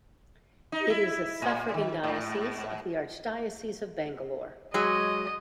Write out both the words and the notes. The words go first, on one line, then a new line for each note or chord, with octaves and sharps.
It is a suffragan diocese of the Archdiocese of Bangalore.
D#4
E4
A2
D#3
G#2
F#3 G#3 D#5